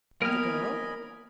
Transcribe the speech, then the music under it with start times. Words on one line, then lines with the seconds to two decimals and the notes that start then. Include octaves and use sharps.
"And the girl?"
0.22 A#3 B3 A#4 D#5 G#5 B5 F6